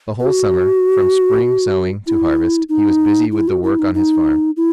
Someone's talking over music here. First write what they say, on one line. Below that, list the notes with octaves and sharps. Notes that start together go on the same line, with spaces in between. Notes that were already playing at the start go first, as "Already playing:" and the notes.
The whole summer, from spring sowing to harvest, he was busy with the work on his farm.
F#4
E4
D#4
E4
F#4
E4
D#4
D#4
E4